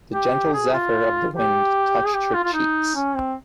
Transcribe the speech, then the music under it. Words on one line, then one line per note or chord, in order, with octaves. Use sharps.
The gentle zephyr of the wind touched her cheeks.
G4
G#4
F4
G4
G#4
G4
F4
F4
D#4
C#4
C4